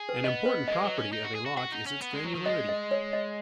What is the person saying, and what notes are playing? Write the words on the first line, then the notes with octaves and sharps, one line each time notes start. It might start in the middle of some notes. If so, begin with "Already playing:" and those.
An important property of a lock is its "granularity".
Already playing: G#4
B4
B3 D#5
B4
G#3 D#5
F#3
C#4
D#4
F#4
G#4
F#4
F#4 F#5
D#4
C#4
B3
G#3
F#3
D#3
G#3 D#5
D#5
C#5
D#5